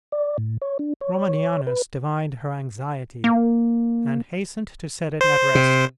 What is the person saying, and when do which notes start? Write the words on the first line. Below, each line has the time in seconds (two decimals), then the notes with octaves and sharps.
Romanianus divined her anxiety, and hastened to set it at rest.
0.12 D5
0.38 A2
0.62 C#5
0.79 D4
1.01 C#5
1.67 B4
3.24 A#3
5.21 C5
5.55 C3